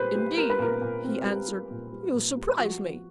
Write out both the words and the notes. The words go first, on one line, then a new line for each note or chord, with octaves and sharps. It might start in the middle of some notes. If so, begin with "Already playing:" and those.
'Indeed,' he answered, 'you surprise me.
Already playing: A#2 G3 B4 C5
G3
G3 A#4
B4
A#2 A#4
A#2
C4
G3
G3
A#2
G3
A#2
G3
F3 F#4
F3